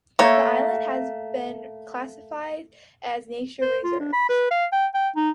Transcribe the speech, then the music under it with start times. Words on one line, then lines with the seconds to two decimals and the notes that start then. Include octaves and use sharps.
The islands have been classified as nature reserves.
0.19 A3 A#3 C#5
3.62 C5
3.84 F4
4.00 D4
4.13 B5
4.29 B4
4.51 F5
4.73 G5
4.95 G5
5.16 D#4